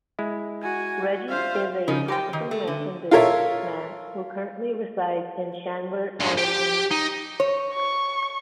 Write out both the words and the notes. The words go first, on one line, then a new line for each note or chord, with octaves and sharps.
Reggie is an African-American businessman who currently resides in Chandler, Arizona.
G#3 E4
F#4 G#5
F4 C5 E5 F5
C#3 F3 D#4 A#4
G4 G5
D#3
A3
D3
F4 A4 A#4 C#5 E5
G2 G#3
G4 G5
D#4
C#5
C#6